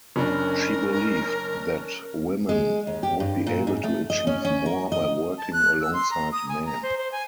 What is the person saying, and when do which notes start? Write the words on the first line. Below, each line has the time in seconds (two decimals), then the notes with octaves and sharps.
She believed that women would be able to achieve more by working alongside men.
0.16 F#1 C#4 D4 A#4
2.49 G#3
2.87 D#2
3.03 G4
3.20 G2
3.47 A#2
3.67 G#2
3.84 A3
4.10 D#5
4.27 C#4
4.45 C#4
4.66 A#4
4.92 D#5
5.38 A5
5.53 F#6
5.81 E6
5.93 C6
6.11 A#5
6.32 D#6
6.49 G#5
6.66 A#5
6.83 C5
6.98 C5
7.12 G#5